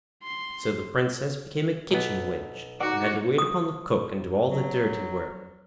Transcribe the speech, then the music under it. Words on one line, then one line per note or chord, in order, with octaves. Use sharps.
So the Princess became a kitchen wench, and had to wait upon the Cook and do all the dirty work.
C6
B1 B3
D#4 F#4 D5 F#5
D#6
F#3